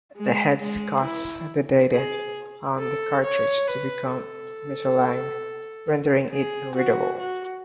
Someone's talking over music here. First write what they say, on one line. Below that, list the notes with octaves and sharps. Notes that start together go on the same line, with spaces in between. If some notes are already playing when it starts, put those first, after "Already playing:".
The heads caused the data on the cartridge to become misaligned, rendering it unreadable.
G#3
G#3
E4
G#4
A4
C#5
B4
A4
G#4
F#4
F#4